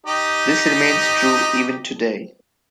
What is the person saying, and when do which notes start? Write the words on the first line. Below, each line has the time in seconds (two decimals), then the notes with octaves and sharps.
This remains true even today.
0.07 D#4 G4 D#5